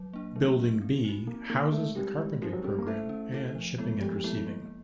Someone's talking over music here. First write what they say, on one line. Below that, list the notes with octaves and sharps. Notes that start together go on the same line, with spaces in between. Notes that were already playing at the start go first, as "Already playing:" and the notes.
Building B houses the Carpentry program and Shipping and Receiving.
Already playing: F#3
A#3 D4
F#3 A3
A#3 D4
C4
D#4 F#4
A#3 C4
A#3 D#4 F#4
G#3 A3
G3 C4 D#4 G4 A#4
G#3
F3 C4 D#4 G4 A#4
F#3
G3 C#4
A#3
A3 E4 A4 C5
C#4
E4 A4 C5
F3
G#3 B3 E4 A4
F3 G3
G3
G#3 B3 E4 A4
A#3